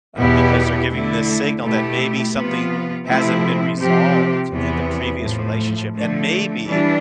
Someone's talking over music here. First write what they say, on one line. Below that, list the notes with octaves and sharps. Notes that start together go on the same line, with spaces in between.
Uh, because they're giving this signal that maybe something hasn't been resolved in the previous relationship, and maybe
E2 B2 B3 E4 G4
D3 A3 E4
B2 A3 E4 G4
C3 F3 B3 F4
C3 F3 A3 C4 E4
C3 F3 C4 G4
E2 C3 E3 B3
A2 F3 A3
D3 F3 A3
E3 G3 D4